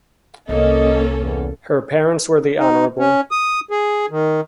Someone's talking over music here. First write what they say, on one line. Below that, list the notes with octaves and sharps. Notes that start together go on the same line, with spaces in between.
Her parents were The Hon.
C2 A#3 C#4 A4 D#5
E2
D#4
C#4
D#6
G#4
D#3